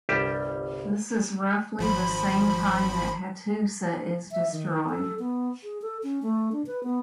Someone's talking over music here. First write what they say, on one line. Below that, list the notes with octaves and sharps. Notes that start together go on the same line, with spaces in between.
This is roughly the same time that Hattusa is destroyed.
G1 C2 G3 G4 A5
G#1 F3 B5
E5
D#3
A4
B3
G#4
A4
C#4
A3
D4
B4
B3